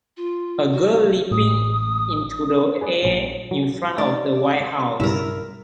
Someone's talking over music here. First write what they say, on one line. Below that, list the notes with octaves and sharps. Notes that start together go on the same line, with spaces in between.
A girl leaping into the air in front of the White house.
F4
F#4
A1 D#6
G#4 B4 D5
A#1
F#3
A3 D#4 D5
B1 G2 C#3 E4 A#4